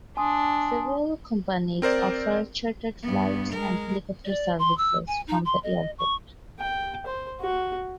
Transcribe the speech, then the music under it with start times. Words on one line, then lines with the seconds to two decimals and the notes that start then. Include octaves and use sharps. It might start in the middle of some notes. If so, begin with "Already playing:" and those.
Several companies offer chartered flights and helicopter services from the airport.
0.17 D4 G#5 C6 D#6
1.82 C4 A#4 C5 D5
3.03 G2 B3
3.53 G#3 A#4
4.25 D5
4.59 C6
4.78 E6
5.07 G#5
5.27 D#4
5.46 C6
5.63 D#5
5.98 C#6
6.59 G5
7.06 C5
7.41 F#4